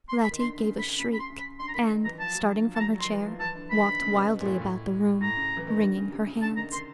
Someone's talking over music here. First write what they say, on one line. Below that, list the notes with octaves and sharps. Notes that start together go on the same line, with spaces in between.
Letty gave a shriek, and, starting from her chair, walked wildly about the room, wringing her hands.
C6
B5
D#3
D3 C6
C#3
C#3 B5
C#3 B5
B5
C6
C#3
B5
D3 C6
A#5
D#3 B5
D#3
E3 A#5
F3 A5
F#3
D3
F3
A5
G3 A#5
F#3 C6
D#3
E3
F3
E3 A5
D3
D#3 B5
D3
C#3
B2
A#2
A2
A#2
A2
A2 A#5
C#3
E3
D#3
D3
C#3
C3
C#3
D3 A5
D#3 A#5
D#3 C6